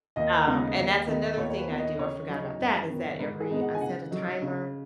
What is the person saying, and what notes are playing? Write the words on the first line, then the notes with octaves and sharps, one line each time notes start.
um, and that's another thing I do, I forgot about that, is that every I set a timer
D#2 D#5
C#3 G#3 B3 D#4
D#2
D#3 B3 D#4
D#2 C#5
C#5
B4
D#3 B3
D#5
C#3 C#5
F#3 D#4
F#2
D#3 B3
G#2 B4
G#4
G#3 B3 D#4
F#5
G#5
C#3 F#5
F#3 D#4
C#3